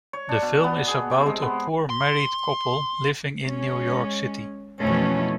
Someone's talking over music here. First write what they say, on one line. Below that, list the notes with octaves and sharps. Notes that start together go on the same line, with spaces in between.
The film is about a poor married couple living in New York City.
C#5
D4
B2
B3
G#4
C3
G#3
B3
C6
G#3 C#4
F2 B2 E3 A3 C#4